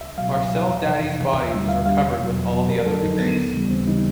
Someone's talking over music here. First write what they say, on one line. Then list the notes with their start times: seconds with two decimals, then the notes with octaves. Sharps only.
Marcel Dadi's body was recovered with all the other victims.
0.01 C#2 E5
0.18 B2 F#3 F5
0.34 C#2 F5
0.51 B2 F#3
0.68 F2
0.85 C3 E3
1.02 F2
1.18 C3 E3
1.35 D#2 E5
1.52 D3 G3 E5
1.68 D#2 F5
1.86 D3 G3 F5
2.02 E2
2.19 B2 F#3
2.36 E2
2.52 B2 F#3
2.69 F2 A#4
2.86 D3 F#3 A4
3.03 F2 D#4
3.20 D3 F#3 B3
3.36 D#2
3.53 C#3 E3 G3
3.70 D#2 C4
3.86 C#3 E3 G3 D#4